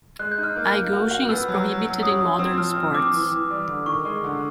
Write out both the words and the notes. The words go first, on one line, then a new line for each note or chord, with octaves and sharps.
Eye-gouging is prohibited in modern sports.
G#3 F#6
G6
D#4
F6
A#3
A#3
F#4
F#4
B3 E6
F#3
F#3
F#3
C#4 D#6
C#4
C4 E6
F3 F6
C4 E6
C4 D6
E3
E3
G3
D3
D#3 C#6
G#3
D3